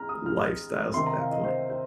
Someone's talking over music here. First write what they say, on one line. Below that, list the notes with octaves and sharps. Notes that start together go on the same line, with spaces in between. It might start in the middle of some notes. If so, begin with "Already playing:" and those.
lifestyles at that point.
Already playing: G#3 C4 A#5 F6
D#6
F6
C3 D#3 C4 C6
A#5
F5
D#5
C5
C5